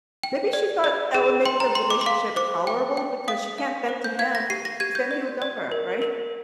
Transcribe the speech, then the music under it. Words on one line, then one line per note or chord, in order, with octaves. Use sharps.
Maybe she thought that would make the relationship tolerable because she can't vent to him, 'cause then he'll dump her, right?
G5
D5
D5
G#4
G5 C6
A#5
G5 C6
D6
C6
F5 D6
C5 D6
G5
G5
F5 D#6
F5
C5
G6
F5 G#6
A#6
G4 C7
A#6
G4 G#6
G6
D5
D5
A#4
A#4